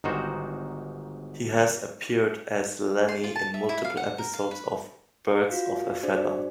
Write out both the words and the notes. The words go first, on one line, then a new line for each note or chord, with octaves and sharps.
He has appeared as Lenny in multiple episodes of "Birds of a Feather".
G1 G#2 D#3 D#4 F#4 C5
C6
F4
A5
E5
E4
F5
F#5
A#4
F5
B4
F4 F#4 F5
D4 F#4 G#4 C5 D5